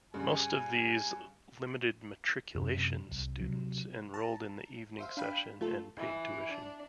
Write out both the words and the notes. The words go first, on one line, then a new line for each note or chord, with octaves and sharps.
Most of these "limited matriculation" students enrolled in the Evening Session, and paid tuition.
G2 C#3 G#5
F#2 C3
C2
C3 F#3
A5 A#5
C5 E5 F5
D4 F5 G5 B5
A3 F4 A4
E3
D4